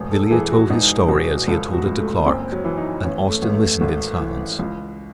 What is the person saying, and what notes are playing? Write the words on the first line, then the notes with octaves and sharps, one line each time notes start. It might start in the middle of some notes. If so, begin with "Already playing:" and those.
Villiers told his story as he had told it to Clarke, and Austin listened in silence.
Already playing: E1 A1
A4
A4
E3 G#4
F#4
E1 D#4
E1 F#4
C#2 A4
F#4
C#2
A3
F#1 C4
F#3
E3
D#4
A1 C#4
A3
A1
A3
G#1 A3
E3
C#2